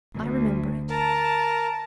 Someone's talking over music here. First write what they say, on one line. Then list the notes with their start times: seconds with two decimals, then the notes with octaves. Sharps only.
"I remember it."
0.14 D2
0.90 A#4 A5